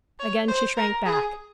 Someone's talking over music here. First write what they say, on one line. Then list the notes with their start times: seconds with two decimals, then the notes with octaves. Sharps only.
Again she shrank back.
0.19 C#5
0.48 C5
0.77 A#4
1.06 G#4